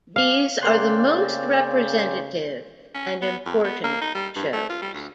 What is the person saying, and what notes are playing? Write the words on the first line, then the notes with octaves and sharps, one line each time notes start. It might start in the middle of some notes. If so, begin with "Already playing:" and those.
These are the most representative and important shows.
G4 F5 G#5
C#3 A#3 C4 C5 D5 C6 F#6
C#4
B3
F2
B3
A#3
D#4
G3
G2
A3
F4
G3
D2